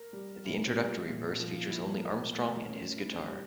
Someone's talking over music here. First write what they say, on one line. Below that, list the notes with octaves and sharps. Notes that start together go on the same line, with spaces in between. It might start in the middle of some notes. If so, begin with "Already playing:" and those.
The introductory verse features only Armstrong and his guitar.
Already playing: A#4
G3
A2
G3
A#2
F3
E4
A#4
A3
C#4
E4
G3